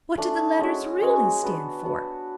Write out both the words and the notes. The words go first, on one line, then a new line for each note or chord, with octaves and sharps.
"What do the letters really stand for?"
A3 D4 A4 D5
G#3 C#4 F#4
G#3 C#4 F#4
B3 D4 F#4 B4
B3 D4 F#4 B4